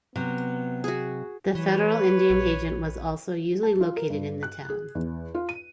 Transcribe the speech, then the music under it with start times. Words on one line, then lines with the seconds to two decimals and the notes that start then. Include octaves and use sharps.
The federal Indian Agent was also usually located in the town.
0.16 C3 F#3 B3
0.84 F#4 G#4
1.55 E3 B4 C#5
2.30 A#1
3.63 A5
3.81 F4
3.97 A#4
4.10 G2
4.43 F#6
4.70 G#4
4.95 E2
5.35 F4
5.49 D#7